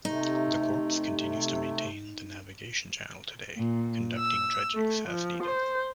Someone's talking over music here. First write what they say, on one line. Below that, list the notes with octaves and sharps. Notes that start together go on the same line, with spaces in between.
The Corps continues to maintain the navigation channel today, conducting dredgings as needed.
C3 A3 D#4
A#2
E6
A3
F3
C5